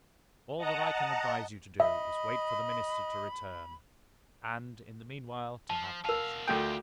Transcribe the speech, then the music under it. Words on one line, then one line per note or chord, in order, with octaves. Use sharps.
All that I can advise you to do is wait for the Minister to return, and, in the meanwhile, to have patience.
D#5 F#5 A5 A#5
D#5 E5 B5
F3 A5
B2 A#4 F5 A5
D2 A3 F4 G#4 G5